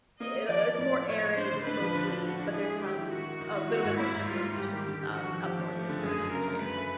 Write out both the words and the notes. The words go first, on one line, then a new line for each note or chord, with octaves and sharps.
uh it's more arid, mostly, but there's some a little bit more temperate regions, uh, up north as far as I understand.
A#3 D#5
A#3
F3 D5
F3
A2 D5
A2
A2 C#5
A2
D4 C5
D3
D4 B4
F3
D3
D4
D4 F#4
D4
E4 G#4
G#3
D#3 G4
E4
D#3 F#4
D#3
D#3
E4
A#3 F#4
G#2
A#3 E4
G#2
G3 F4
G3
G#2 G4
D#3
D3
D3
F3 F#4
F3
F3 G4
F3
A3 G4
D3
F#2 G#4
F#2
C#3 A#4
A3
F#2 B4
A3